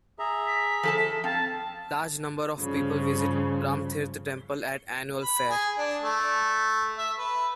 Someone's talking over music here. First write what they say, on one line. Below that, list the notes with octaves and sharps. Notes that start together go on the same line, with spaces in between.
Large number of people visit Ramtirth Temple at annual fair.
G#4 E5 A#5
B6
F3 A4 A5
C4 F5 A5
G2 C#3 F3
B5
G#4
D4
A3
E5
B4